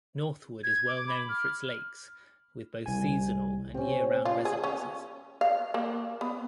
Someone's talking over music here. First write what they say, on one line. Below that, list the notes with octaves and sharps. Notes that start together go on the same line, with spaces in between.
Northwood is well known for its lakes, with both seasonal and year-round residences.
G#6
D6
B5
F6
C2 G#5
C3 C4 C#4
F4
G#4
C#4
F5
A#3
B3